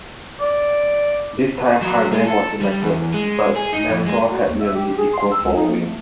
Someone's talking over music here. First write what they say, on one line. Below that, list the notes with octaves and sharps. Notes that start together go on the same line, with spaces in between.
This time Hardang was elected, but Manthor had nearly equal following.
D5
F#3
G#3
A4
G3
E2
G#3
G#4
D#4
F2
G#3
F#4
D#2
E5
G4
G#4
C6
E6
C#2
D#4
A#3
A3